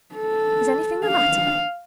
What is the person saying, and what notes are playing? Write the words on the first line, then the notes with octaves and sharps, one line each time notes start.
Is anything the matter?'
A4
F5